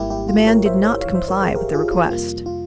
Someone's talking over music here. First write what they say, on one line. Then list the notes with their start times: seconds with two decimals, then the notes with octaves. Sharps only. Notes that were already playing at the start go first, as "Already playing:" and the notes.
The man did not comply with the request.
Already playing: G#1 G#2 G3 A#3 E4 G4
0.10 E4 G4
0.28 F4
0.47 A#4 C#5
0.65 C5 E5
0.83 A#4 C#5
1.01 G#1 G2 E3 C#5 F5
1.14 C5 E5
1.28 A#4 C#5
1.42 G#4 C5
1.55 G4 A#4
1.73 F4 G#4
1.91 F4
2.10 F2 C3 G3 A#3 F4
2.46 F4